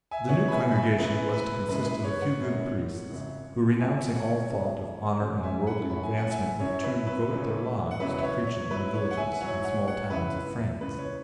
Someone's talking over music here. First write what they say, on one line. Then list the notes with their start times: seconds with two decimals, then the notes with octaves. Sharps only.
The new Congregation was to consist of a few good priests who, renouncing all thought of honor and worldly advancement, were to devote their lives to preaching in the villages and small towns of France.
0.11 E5 G#5
0.29 F#2 E3 B3 C#5 F#5
0.48 B5
0.52 E5 G#5
0.71 B5
0.75 E5 G#5
0.99 F#2 E3 B3 B4 E5
1.34 B4 E5
1.69 F#1 F#2 E3 G#3 B4
1.86 B4
2.04 C#5
2.22 C#5 F#5
2.39 F#1 F#2 E3 G#3
3.10 G#1 F#2 C#3
3.79 G#1 F#2 C#3 E5 G#5
4.14 C#5 F#5
4.49 B1 B2 G#3 C#4
5.20 B1 B2 G#3 C#4
5.43 E5 G#5
5.66 F#5 B5
5.90 F#2 E3 C#4 B5
6.03 G#5
6.17 F#5
6.31 E5 G#5
6.60 F#2 E3 C#4 C#5
6.83 B4 E5
7.07 B4 E5
7.30 E1 E2 C#3 F#3 C#4
7.91 F#5
8.00 E1 E2 C#3 F#3 C#4 B4 E5
8.18 E5
8.23 C#5
8.47 C#5
8.70 G#2 F#3 E4 B4
8.94 C#5
9.11 F#5
9.17 E5 G#5
9.40 G#2 F#3 E4 C#5 F#5
9.64 C#5 F#5
9.87 C#5 F#5
10.10 C#2 C#3 E3 B4 E5
10.81 C#2 C#3 E3 B4
10.98 C#5